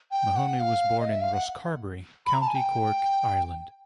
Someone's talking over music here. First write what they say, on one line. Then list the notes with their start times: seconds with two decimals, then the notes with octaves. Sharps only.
Mahony was born in Rosscarbery, County Cork, Ireland.
0.12 G5
0.36 F#5
0.60 F5
1.00 D#5
1.09 E5
1.22 F5
1.33 F#5
2.26 B5
2.34 A#5
2.41 A5
2.47 G#5
2.55 G5